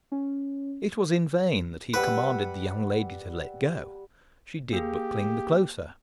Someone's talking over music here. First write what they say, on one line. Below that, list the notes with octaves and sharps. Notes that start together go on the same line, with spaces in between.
It was in vain that he commanded the young lady to let go: she did but cling the closer.
C#4
G3 B4 F#5 E6
A#3 G4 G#4